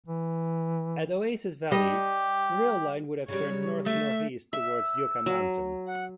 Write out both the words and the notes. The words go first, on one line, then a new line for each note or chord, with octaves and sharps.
At Oasis Valley, the rail line would have turned north-northeast towards Yucca Mountain.
E3
G3 G4 D#5
C#3 F#3 G3 C#5
A3 E5
E5 E6
F#3
F#5